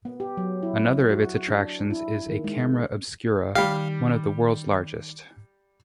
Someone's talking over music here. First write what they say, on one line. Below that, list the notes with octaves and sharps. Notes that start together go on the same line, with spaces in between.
Another of its attractions is a camera obscura, one of the world's largest.
B3
G4
F#3
E4
F#4
D4
E4
D#3
G#3
D#3 G3 G4 F5